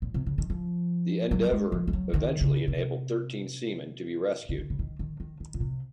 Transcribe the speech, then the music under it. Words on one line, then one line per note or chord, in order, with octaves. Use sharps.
The endeavour eventually enabled thirteen seamen to be rescued.
A#2
C3
C#3
D#3
F3
F#3
G#3
F3
G#3
F#3
D#3
C#3
C3
C#3
D#3
C#3
D#3
D#3
D#3
D#3
A#2
C3